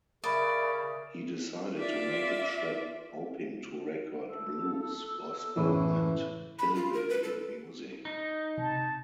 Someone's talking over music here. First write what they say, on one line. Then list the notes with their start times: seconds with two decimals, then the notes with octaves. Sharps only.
He decided to make a trip, hoping to record blues, gospel and "hillbilly" music.
0.24 C#3 A#4 D5 E5 B5 D#6
1.77 F4 D5 E5
4.26 A4
5.56 F#1 A2 E3 C#4 E5
6.58 B5
6.75 F4
6.94 A#4
7.09 B4
7.23 A4
8.05 D#4
8.58 C3 A5